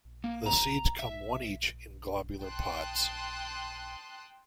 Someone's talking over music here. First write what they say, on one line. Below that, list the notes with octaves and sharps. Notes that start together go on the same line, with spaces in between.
The seeds come one each in globular pods.
A#3
A#5
E5
G5 A5 C6 D#6 F#6